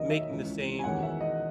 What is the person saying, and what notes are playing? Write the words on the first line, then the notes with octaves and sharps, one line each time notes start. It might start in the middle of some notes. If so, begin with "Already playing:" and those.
making the same
Already playing: D#2 D#3 F#3 C#5 D#5
E5
C#2 C#3 E3
G#5
E2 D#3 F#3 F#5
E5
D#5